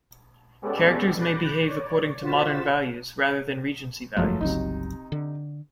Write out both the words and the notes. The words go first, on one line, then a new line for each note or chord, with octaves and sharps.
Characters may behave according to modern values, rather than Regency values.
G#3 B3 C#4 G4 A4 D5
B5 D6 F#6 G6 A6 A#6
C#5 D5
F4 F#4 C5 A6 B6 E7
G1 F#2 F3 F#3 G#3 A3
G1 C#2 C3 F#3 D#4
D3